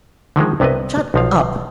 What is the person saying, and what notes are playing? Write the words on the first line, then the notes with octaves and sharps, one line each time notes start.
"Shut up!"
D3 D#3 F3 G#3
C2 C3 B3 B4 D#5
B1 F3 F5